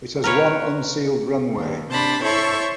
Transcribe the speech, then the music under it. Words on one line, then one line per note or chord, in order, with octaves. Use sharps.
It has one unsealed runway.
A#4 B4 C#5
D#2
C3 D4 C5 A5 B5 A#6
E4 A4 C5 C#5 E5 C#6